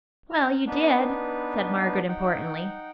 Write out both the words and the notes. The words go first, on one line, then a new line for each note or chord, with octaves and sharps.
"Well, you did," said Margaret importantly.
A#5 F6
B3 D4 D#4 B4
D#4 F#5 G5